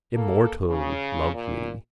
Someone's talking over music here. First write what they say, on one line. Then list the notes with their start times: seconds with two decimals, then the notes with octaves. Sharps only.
Immortal lovely.
0.15 A#3 A4
0.69 C#3
1.34 A#2